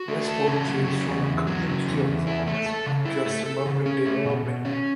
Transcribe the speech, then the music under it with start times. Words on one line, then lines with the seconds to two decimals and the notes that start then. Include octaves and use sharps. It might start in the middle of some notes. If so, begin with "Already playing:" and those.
Westport changed from a community of farmers to a suburban development.
Already playing: F#4
0.08 A3
0.28 A4
0.48 C#3
0.67 F#3
0.87 C#3
1.07 E2
1.27 E2
1.47 F#3
1.67 C#3
1.86 E2
2.07 E2
2.27 E4
2.47 A3
2.66 A4
2.86 C#3
3.05 E4
3.25 A3
3.46 A4
3.66 C#3
3.86 C#4
4.05 A3
4.25 B2
4.45 B2
4.65 C#4